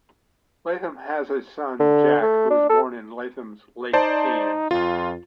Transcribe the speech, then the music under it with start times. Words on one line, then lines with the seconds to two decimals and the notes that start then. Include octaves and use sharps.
Latham has a son, Jack, who was born in Latham's late teens.
1.80 D3
2.22 A3
2.51 D4
2.70 A4
3.93 D#4 C5 D5 A5
4.71 F2 F4